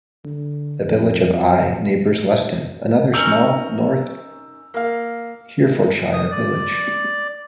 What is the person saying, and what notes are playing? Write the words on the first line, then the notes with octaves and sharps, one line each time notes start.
The village of Eye neighbours Luston, another small north Herefordshire village.
D3
F2
D#1
C#4 D#4 A#4 E6 G6 F7
A#3 F5
D#6
D5